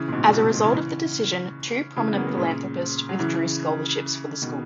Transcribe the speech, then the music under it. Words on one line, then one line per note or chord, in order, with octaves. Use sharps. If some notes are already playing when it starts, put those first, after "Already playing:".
As a result of the decision, two prominent philanthropists withdrew scholarships for the school.
Already playing: C#3 E3
A#2
G#2 B2
C#3
G#2 B2
G#2
A#2
C#3 E3
C#3 E3
C#3 E3
E3 G#3
B3
F#3 A#3
G#3 B3
A#2 C#3
F#3
C#3 E3
B2 D#3